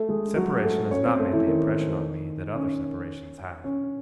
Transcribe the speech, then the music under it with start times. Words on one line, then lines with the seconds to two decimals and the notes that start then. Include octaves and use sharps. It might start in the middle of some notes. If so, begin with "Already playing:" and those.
The separation has not made the impression on me, that other separations have.
Already playing: A3 A4
0.09 G#3 G#4
0.36 F#3 F#4
0.63 A3 A4
0.91 C#4 C#5
1.05 C4 C5
1.19 A3 A4
1.32 E3 E4
1.45 D#3 D#4
2.55 C#4
3.64 C#4